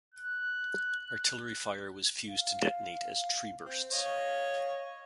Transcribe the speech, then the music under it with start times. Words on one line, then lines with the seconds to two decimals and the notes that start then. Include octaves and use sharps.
Artillery fire was fused to detonate as tree bursts.
0.14 F#6
2.28 F5
3.65 C4
3.92 C#5 D#5 F5